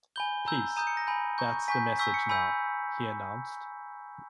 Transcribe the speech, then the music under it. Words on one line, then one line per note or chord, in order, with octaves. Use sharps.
Peace - that's the message now, he announced.
G#5 B5 G6 G7
A#5 E6 G6
A#5 D#6 G6 D#7
C#7
A#6
G#5 B5 G6
A#5 C#6 G6
G#5 C#6 G6 B6
G#5 C#6 E6 G6 B6
C#7
G#5 B5 E6 G6